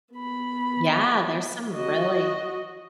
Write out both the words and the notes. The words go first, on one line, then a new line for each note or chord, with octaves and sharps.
Yeah, there's some really
B3 B5
F#4 D#5